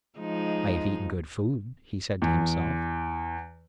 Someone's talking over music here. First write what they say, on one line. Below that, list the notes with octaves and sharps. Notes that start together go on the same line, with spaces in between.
"I have eaten good food," he said to himself.
F3 G#3 D#4
E2